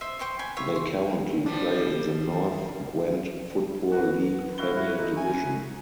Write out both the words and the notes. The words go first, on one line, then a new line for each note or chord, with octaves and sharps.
They currently play in the North Gwent Football League Premier Division.
C5 D#5 E5
C5 G5 C6 C#6
G5 G#5 B5
F4 C#5 E5
C6
F3 G3 D4
F#4 B4
E4 F#4 F5 G7
E4 A4 F#5 C#6 D6
D#4 A4
C#4 G#5